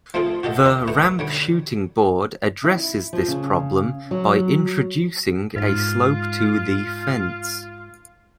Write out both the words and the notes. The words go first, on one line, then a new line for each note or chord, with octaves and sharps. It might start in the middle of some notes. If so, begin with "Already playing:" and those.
The "ramped shooting board" addresses this problem by introducing a slope to the fence.
F3 A3 C4 F4 G#4 A4
F#4 G4 A4 D#5 E5
C5 E5 A#5
A3 B3 F#4
D3 G3 C#5
E4
F3
C#3
F#3
G#2 F4